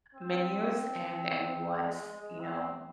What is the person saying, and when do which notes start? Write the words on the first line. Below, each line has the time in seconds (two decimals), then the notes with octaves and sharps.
menus, and and what's, you know
0.15 C4
1.84 G#3
2.12 G#3
2.40 C4